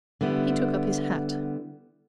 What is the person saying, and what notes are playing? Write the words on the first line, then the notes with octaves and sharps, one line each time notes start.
He took up his hat.
D3 G3 B3 E4